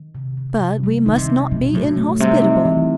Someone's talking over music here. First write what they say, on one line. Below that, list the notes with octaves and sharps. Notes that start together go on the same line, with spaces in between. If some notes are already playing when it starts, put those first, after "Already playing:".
But we must not be inhospitable.
Already playing: D#3
C3
C3
C3
D#3 G3
D#3 D#4
C3
D#4
B2 F#3
A2 F#3
A2 A3
C3 G3
D#4
E3